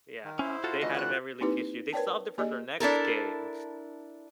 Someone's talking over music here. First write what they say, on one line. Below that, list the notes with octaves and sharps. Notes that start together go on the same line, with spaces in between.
Yeah, um, they had a memory leak issue. They solved it for their next game,
D#3
C#4 E4 C5
F4 F#4 A4
D3 E3 A3 D#5
F#5 F#6
A#3 C4 D#4 E4 G4 B4
A#4 B4 C#5 D5 G5 A5
A#3 G4 G#4 D5 D#5
D4 E4 A4 A#4